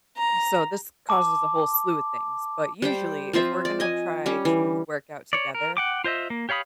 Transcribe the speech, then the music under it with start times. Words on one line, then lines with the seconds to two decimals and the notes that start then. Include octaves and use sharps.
so, this causes a whole slew of things, but usually, if we're gonna try to work out together,
0.18 A#5
1.09 A5 D6
2.82 G3 C5 G5
3.33 F3 C4 F4 E5
3.65 D5
3.80 D#5 G#5
4.26 G3 C#4
4.45 E3
5.33 C#5 D5
5.55 A#4
5.77 F#5 G5 D6
6.04 F4 C5 D#5 E5
6.30 A#3
6.49 G4 C#5 F5 B5 D#6